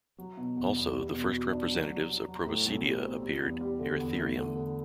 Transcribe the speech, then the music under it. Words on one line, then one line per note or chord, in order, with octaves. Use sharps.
Also, the first representatives of Proboscidea appeared, "Eritherium".
F#3
B2
E2
E2
G3
B2
F#4
D4
F#3
F#3
F#3
F#3
A2
B1
G3
C4
G3
E2
G3
D3
E2
A3
D3
D3